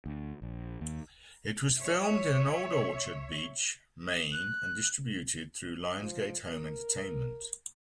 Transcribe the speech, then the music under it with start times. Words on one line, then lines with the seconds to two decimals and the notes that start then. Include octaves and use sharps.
It was filmed in Old Orchard Beach, Maine and distributed through Lionsgate Home Entertainment.
0.06 D2
0.42 A#1
0.81 D#2
1.78 C#5 E5
4.32 F#6
6.02 F3
6.51 A#4